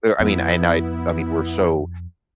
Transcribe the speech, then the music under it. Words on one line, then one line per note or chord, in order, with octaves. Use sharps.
There I mean, and I I mean, we're so
F2 B3 E4